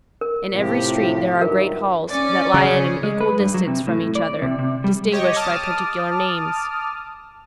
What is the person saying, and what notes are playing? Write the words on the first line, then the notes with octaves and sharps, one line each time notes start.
In every street there are great halls, that lie at an equal distance from each other, distinguished by particular names.
A#4
A2 C3 F3 G4
G2 D#3 F#3 F4 A#4 E5
C#4 D5
C#3 G#4
G#3
B4
G2
F#3
C3
A2
D5
C3
C3
G3
G4 C#5 D#5
A5 D6 D#6 F6